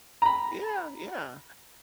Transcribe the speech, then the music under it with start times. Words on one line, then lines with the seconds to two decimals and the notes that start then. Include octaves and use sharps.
Yeah, yeah.
0.22 A#5 B5